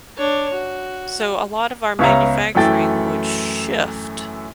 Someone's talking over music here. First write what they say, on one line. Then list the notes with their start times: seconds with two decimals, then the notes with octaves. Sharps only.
so, a lot of our manufacturing would shift.
0.17 D4 C#5
0.54 F#4
1.99 C#2 B3 C#5 E5 F5 A#5
2.55 F#2 E3 A3 G5 A6